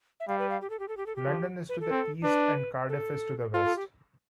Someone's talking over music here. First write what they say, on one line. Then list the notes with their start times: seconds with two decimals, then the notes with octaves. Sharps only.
London is to the east, and Cardiff is to the west.
0.20 E5
0.28 G3 F5
0.39 B4
0.50 F5
0.61 G4
0.70 A4
0.79 G4
0.88 A4
0.97 G4
1.06 A4
1.16 G4
1.26 F3
1.69 B4
1.80 A4
1.91 C4
2.24 D4 B4
2.89 A4
3.54 F4 A4
3.65 A4
3.76 G4